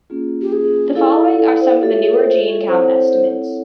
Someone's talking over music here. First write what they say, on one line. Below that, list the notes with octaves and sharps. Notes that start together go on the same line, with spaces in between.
The following are some of the newer gene count estimates.
A#3 C#4 F4 G#4
G4
G#4
E4 A4 D5 F5
A4
C5
F4 G4 A4 C#5 E5
G4
G#4
A#4
C5
C#5
C4 E4 A4 C5 C#5 F#5